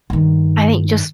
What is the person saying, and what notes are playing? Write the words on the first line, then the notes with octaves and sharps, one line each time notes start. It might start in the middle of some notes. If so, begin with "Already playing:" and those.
I think just
G2 D#3